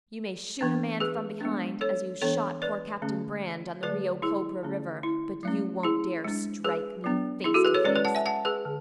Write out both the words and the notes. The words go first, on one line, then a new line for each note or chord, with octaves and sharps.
You may shoot a man from behind, as you shot poor Captain Brand on the Rio Cobra River, but you won't dare strike me face to face.
E3 B3 D4
G#4 B4
G#3 B3 D4
A4 C#5
E3 B3 D4 A4 C#5
B4 D5
D3 A3 C#4
D3 F#3 A3 B4 D5
E4 G#4
D3 A3 C#4
E4
F#3 A3 C#4
E4 G#4
G#3 D4
G#4 B4
F#3 B3 D4
E4 G#4
F#4 A4
G#4 B4
A4 C#5
G#3 C#4 B4 D5
B4 D5
F#5 A5
E5 G#5
F#5 A5
G#4 B4
D3